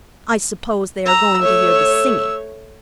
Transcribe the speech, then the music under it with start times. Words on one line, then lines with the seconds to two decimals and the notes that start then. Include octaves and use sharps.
I suppose they are going to hear the singing.
1.06 A#5 E6
1.41 A3 C#5